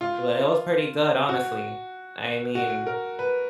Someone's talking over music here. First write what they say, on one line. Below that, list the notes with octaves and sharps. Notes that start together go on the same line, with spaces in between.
but it was pretty good, honestly. I mean
F4
F#4
F#4
A#4
B4